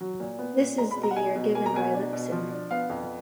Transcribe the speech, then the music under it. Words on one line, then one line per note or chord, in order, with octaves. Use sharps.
This is the year given by Liptzin.
F#3
A#2
B3
A#2
G#3 A#5
B5
B2
A#5
F#5
D#4 G#5
B2
A#3 G#5
A#5
B2 G#5
D4
B2
F3
D4
B3 F5
F2